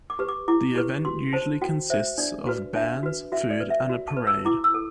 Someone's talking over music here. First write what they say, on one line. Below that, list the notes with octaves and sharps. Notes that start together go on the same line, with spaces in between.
The event usually consists of bands, food, and a parade.
D6
G4 B4
D6
E4 D6
G4 B4
F#4 C6
C5 A5
F#4 G5
C5 E5
D4 D5
F#4 B4
D4 E5
F#4 B4
F#4 E5
D5
B4
E5
F#4
A5
B4
E6
E4 D6
E6
A4